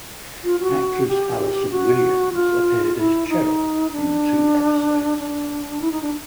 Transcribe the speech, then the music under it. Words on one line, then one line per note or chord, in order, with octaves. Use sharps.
Actress Allison Williams appeared as Cheryl in two episodes.
F4
F#4
G4
F#4
F4
E4
D#4
D4
D4
E4
D#4
D4